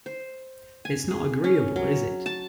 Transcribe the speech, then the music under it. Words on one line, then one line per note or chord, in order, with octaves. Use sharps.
It's not agreeable, is it?
C5
G#5
G#4
C#4
F#3
A5